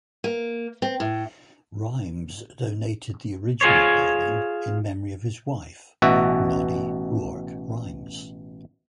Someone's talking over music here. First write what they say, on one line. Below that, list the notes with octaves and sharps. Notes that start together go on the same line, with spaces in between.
Rhymes donated the original building in memory of his wife, Nonnie Roark Rhymes.
A#3
C4
A2
F4 G#4 C5 C#5
A1 B2 F#4 E5